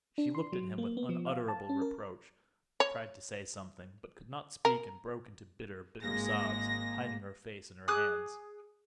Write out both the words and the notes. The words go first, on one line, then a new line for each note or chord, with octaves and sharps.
She looked at him with unutterable reproach, tried to say something, but could not speak and broke into bitter, bitter sobs, hiding her face in her hands.
D4
C6
F#3
A#3
B3
F3
F5
A5
C#4
A#4
C#5
A#4
G#1 G#3 A#3 A#6
G#4 D6 D#6 F#6